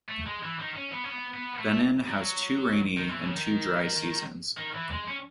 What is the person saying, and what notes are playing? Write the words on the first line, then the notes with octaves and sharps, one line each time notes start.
Benin has two rainy and two dry seasons.
A3
G#3
E3
D#3
C#4
B3
C#4
B3
B3
A3
F#3
D#3
E3
B2
C#3
D#3
D#3
E3
G#3
C#4